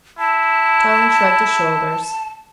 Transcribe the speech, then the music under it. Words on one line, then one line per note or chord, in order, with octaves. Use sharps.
Tarling shrugged his shoulders.
E4 A5